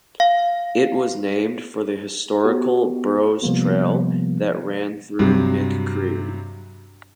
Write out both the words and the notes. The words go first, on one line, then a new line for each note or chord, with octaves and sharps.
It was named for the historical Burrows Trail that ran through McCreary.
F5
B3 F#4 G4
C3 F3 G3 A#3 B3
G2 C3 F#3